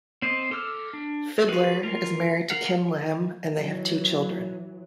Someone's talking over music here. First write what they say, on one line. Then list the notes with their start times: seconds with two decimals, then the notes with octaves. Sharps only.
Fidler is married to Khym Lam and they have two children.
0.22 C4 C5 D#5
0.51 A4 D6 E6 F6
0.93 D4
1.48 F4 F#4 G#4 B4
1.83 F4 A#4
2.50 A#4 F5 F#5
3.55 E3 F#3